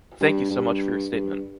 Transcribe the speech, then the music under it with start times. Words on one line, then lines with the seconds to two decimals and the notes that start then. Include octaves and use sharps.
Thank you so much for your statement.
0.21 G2
0.50 G2
1.12 G2